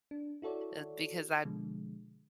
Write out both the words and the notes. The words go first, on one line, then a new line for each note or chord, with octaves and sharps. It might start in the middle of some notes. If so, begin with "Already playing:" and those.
uh, because I
D4
E4 F#4 A4 C#5 D5
B2 D3 F3 G#3